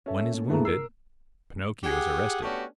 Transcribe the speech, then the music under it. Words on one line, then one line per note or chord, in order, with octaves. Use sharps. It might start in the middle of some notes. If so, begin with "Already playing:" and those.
One is wounded. Pinocchio is arrested.
C#4 A4 E5
A#3
G2 A3 B3 E4 G#4 A#5
A#4 E6 C7
G4 G#4 F#5
A3 B3 C#4 D4 F#4 G4